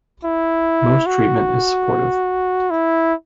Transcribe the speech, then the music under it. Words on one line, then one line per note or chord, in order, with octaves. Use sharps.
Most treatment is supportive.
E4
F#4
E4